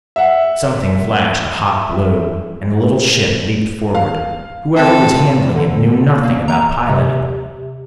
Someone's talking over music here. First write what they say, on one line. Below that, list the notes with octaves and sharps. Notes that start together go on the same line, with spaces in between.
Something flashed a hot blue, and the little ship leaped forward. Whoever was handling it knew nothing about piloting.
E5 F#5
F5
C4 A4
D3
A#3
A#5
C3